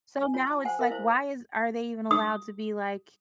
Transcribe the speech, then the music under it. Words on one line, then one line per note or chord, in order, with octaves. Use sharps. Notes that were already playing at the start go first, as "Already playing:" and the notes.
So now it's like, why is are they even allowed to be, like,
G#5
F4 C#5
A5
C5 F#5 G#5
A#4 E5 F5
E4 C5
D#6